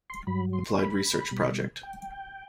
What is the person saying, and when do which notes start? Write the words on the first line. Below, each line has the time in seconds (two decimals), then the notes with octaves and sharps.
Applied Research Project.
0.10 C6
0.27 G2 F#3 B5
0.53 C6
0.79 B5
1.31 B2 G3
1.83 G5